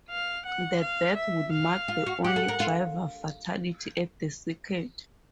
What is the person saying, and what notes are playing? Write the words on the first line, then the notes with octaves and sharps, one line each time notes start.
The death would mark the only driver fatality at the circuit.
F5
F#5
F5
E5
F5
F4
F#4
G4 F#5
A4
A#4
F4